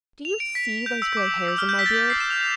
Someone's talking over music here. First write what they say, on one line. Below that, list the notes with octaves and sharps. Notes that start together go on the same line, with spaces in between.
"Do you see those grey hairs in my beard?"
F7
D7
B6
G6
E6
D6
E6
F6
G6
B6
A6
B6
C7
E7
F7
F7